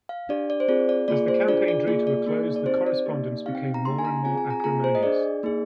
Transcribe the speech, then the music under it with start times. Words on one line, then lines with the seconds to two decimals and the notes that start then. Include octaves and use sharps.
As the campaign drew to a close, the correspondence became more and more acrimonious.
0.09 F5
0.29 D4 G4 D5
0.50 D5
0.60 C5
0.68 C4 F4 G#4 D5
0.89 D5
1.08 A#3 F4 G#4 D5
1.28 C5
1.48 D4 F4 G#4 D5
1.68 D5
1.87 A#3 F4 G#4 D5
2.07 D5
2.26 A#3 D#4 G#4
2.56 D5
2.66 C4 D#4 G4 C5
2.87 D5
3.06 A#3 D#4 G4
3.46 C4 D#4 G4 F5
3.55 G5
3.74 A#5
3.85 A#3 D#4 G4 C6
3.98 G#5
4.05 A#5
4.24 C4 F4 G#4 G#5
4.38 G#5
4.50 A#5
4.60 G#5
4.64 A#3 F4 G#4 A#5
4.84 C5
4.95 D#5
5.03 D4 G#4 D5
5.43 A#3 D#4 G#4